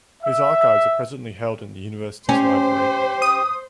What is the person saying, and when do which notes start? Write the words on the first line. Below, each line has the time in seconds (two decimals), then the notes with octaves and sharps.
His archives are presently held in the university's library.
0.23 E5
2.29 C#4 G4 C5
3.22 D#6